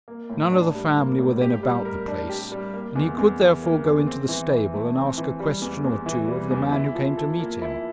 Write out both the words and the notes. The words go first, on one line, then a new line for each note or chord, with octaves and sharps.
None of the family were then about the place, and he could, therefore, go into the stable and ask a question or two of the man who came to meet him.
A#3
A2
D4
G3
A#3
A2
G4
G3
A#4
D4
G4
G3
A#3
E2
E2
E3
A#3
E2
C4
E3
E3
A3
C4
E3
G3
E2
E2
E3
G3
E2
E4
F3
A4
A#3
E4